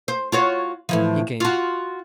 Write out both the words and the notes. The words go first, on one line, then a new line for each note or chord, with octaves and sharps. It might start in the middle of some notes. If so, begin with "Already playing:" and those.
He came.
C5
F4 F#4 C#5
A2 E3 F3
F4 F#4